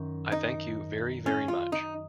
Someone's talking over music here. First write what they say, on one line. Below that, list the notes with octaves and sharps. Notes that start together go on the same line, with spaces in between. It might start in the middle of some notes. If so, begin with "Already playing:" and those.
I thank you, very, very much.
Already playing: F#2 D#3
D#4
C#4
F4
D#4